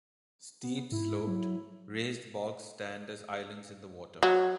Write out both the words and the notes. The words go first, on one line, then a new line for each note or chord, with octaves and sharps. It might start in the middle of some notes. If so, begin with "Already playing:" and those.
Steep-sloped, raised bogs stand as islands in the water.
B3
G#2 E4
F#3
F#3